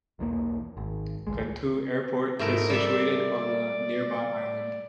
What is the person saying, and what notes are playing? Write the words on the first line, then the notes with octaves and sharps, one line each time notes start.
Kadhdhoo Airport is situated on a nearby island.
B1 E2 D#3 A#3
G#1
G#1 C#2 G#3
G#2 A3 E4 A#4
G3 D5 E5